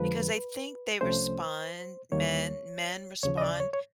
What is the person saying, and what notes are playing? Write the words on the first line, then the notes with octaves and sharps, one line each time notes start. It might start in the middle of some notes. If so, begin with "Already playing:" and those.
because I think they respond men men respond
Already playing: F2 D3 F3 G#3 B4
C2 C3 F3 A3 C#4 C5
D#2 D#3 G3 A#3 C#5
D#2 C#3 F3 C#5
D#5
D5
C#5
C#5